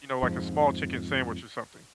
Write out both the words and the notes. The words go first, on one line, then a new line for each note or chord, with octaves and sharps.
you know, like, a small chicken sandwich or something.
F2 G#2 F3